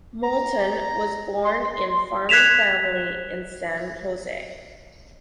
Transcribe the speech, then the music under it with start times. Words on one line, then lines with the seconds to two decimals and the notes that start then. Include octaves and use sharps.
Moulton was born in farming family in San Jose.
0.24 A#5
1.44 C6
2.29 F#6 G#6 B6 E7 F7